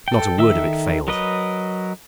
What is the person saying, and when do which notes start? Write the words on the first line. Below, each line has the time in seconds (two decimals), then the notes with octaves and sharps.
Not a word of it failed.
0.08 A4 G5
0.38 D#3 A4 E5 E6
1.08 F#3 A#4 B4 D#5